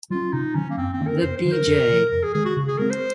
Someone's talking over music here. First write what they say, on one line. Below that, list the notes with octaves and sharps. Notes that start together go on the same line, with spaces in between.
The B. J.
F#3 C#4 F4
C3 D#4
D#3 F#3 C#4
A#3
F#2 C4
C4
D#3 A#3 C#4
A#4
F2 C5
C5
D#3 F#3
A#4
F2
C3 F3
F2 A#4
G#4
D#3 G#3 G#4
F#4
C#3
G#4
G#3 C4 A#4
C5